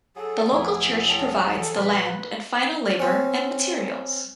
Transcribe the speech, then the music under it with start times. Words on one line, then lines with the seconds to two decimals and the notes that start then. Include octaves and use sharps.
The local church provides the land and final labor and materials.
0.16 F#3 G#4 A4
0.52 D#1 F3 A3 E4
1.09 C#5 G5 A5
1.57 E3 A4
1.77 A#2 F3 B4 C6
3.00 C4 C#4